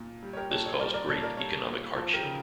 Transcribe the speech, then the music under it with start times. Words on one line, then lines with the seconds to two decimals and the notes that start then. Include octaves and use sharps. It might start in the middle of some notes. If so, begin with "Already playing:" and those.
This caused great economic hardship.
Already playing: A#2
0.23 G3
0.33 C#5
0.37 G4 A#4
0.51 A#2 A4 C#5
0.66 A4 C#5
0.80 G3 A#4 D5
0.94 A#4 D5
1.08 A#2 A4 C#5
1.23 A#4 D5
1.37 G3 A4 C#5
1.65 A#2
1.95 F3 A4
2.13 G4 A#4
2.23 C#3